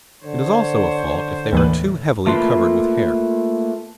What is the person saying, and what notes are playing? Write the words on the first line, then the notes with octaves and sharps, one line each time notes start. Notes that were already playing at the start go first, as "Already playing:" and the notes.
It is also a fault if they are too heavily covered with hair.
D3 C5 C#5
D#2 A2 E3 B4
A3 A#3 F4 B4 C6